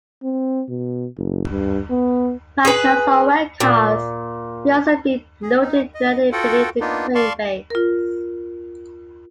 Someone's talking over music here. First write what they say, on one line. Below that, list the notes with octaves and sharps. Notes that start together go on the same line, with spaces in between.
Flatcars or well cars may also be loaded directly beneath the crane base.
C4
B2
F#1
G2
B3
G#4 B4
A#2
G#4
D#4
D#5
F4 F#4 A4 F#5 G5
A#3 B3 D4 D#4 F4
D5 F5 A5 C6 C#6
F4 A#4